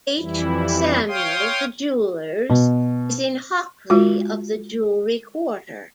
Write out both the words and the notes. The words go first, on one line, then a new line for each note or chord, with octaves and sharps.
H. Samuel, the jewellers, is in Hockley of the Jewellery Quarter.
F2 E3 G3 E4
C#5 F5 G5 C6 D#6
B2
G#3 F4 F#4